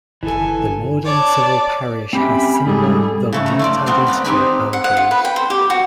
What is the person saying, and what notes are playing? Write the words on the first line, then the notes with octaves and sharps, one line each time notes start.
The modern civil parish has similar, though not identical, boundaries.
G1 E3 A4 G#5
C#5 D5 A5
C4 C#4 G4 E5 B5
G#2 G3 G#4 A4
C#3 A3 B4
A3 A#5
A3 F4 D5
B3 C4 D5 F5
B4 D5 G5 A#5
C4 D#4 G4 B4 G#5 B5
F#5
F#5
F4
B4
G5
C5
G4
F#4